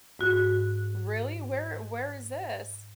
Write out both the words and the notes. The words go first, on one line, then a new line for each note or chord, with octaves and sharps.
Really? Where where is this?
G#2 F#4 F#6